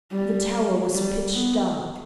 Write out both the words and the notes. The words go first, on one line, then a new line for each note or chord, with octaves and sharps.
The tower was pitch dark.
G3
G3
B3